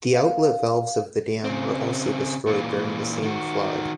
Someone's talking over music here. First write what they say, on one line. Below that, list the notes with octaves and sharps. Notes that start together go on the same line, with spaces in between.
The outlet valves of the dam were also destroyed during the same flood.
F5
C#3 C4
A#2 E3
D#3 F#4